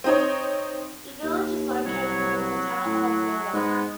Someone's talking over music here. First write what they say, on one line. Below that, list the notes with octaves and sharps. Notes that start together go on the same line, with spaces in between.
The village is located within the Town of Lowell.
C4 D#4 C#5
D#2
C2 F#3 C#5
F#3
A2
G#2 G#3 B3